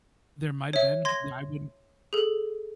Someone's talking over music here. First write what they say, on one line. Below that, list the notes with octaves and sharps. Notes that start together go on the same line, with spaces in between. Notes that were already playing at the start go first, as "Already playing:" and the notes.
There might've been, I wouldn't
C#5 E5
C6 G#6 A#6
G#4 A4